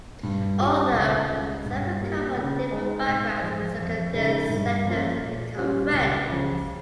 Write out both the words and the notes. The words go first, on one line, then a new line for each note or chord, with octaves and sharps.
Although the seven come from different backgrounds, circumstance led them to become friends.
G2
G3 C#4 F4
C#2
C#3 G#3
G2
G3 A#3 F4
C#3
G#3 D#4
G#2
F3 G#3
F2
C#3 G#3 D#4
G2
F3 A#3 C#4 F4
A#2
G3 C#4 F4
C#2
C#3 F3